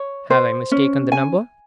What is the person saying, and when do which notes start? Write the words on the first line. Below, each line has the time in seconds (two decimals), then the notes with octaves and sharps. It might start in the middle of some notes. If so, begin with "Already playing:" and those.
Have I mistaken the number?
Already playing: C#5
0.30 C5
0.72 C#4
1.12 G#5